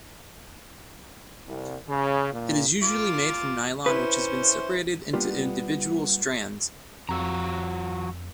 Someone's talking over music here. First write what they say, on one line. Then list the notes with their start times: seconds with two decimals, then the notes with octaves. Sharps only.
It is usually made from nylon which has been separated into individual strands.
1.47 C2
1.88 C#3
2.33 A#2
2.83 F4 D6
3.86 C#4 E4 B4 C5
5.13 G3 A#3 B3 D4 F4 G4
7.09 F2 F3 F#4 A#5 E6